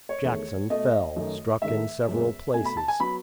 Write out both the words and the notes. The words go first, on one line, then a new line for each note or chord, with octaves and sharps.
Jackson fell, struck in several places.
C#5
E2 D#3 A3
B2 A3 D#5
F#2 D#3 A3
G#2 D#3 A3 E5
F#2 C#3 G#3 B3
B2 A3 G#5
B5
A5
G#5
F#3 B3 B5